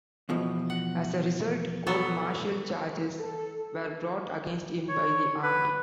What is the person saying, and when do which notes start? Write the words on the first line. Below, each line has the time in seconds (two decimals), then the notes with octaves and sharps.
As a result, court-martial charges were brought against him by the Army.
0.29 E2 B2 F3
0.70 F#5
1.87 F#3 B3 A4
3.20 A4
4.89 C#5
5.43 B4